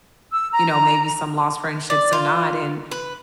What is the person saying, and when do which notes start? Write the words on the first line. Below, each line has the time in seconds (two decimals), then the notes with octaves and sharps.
you know, maybe some lost friendships or not." And,
0.31 E6
0.52 A#5
1.90 D5
2.13 F4
2.91 B4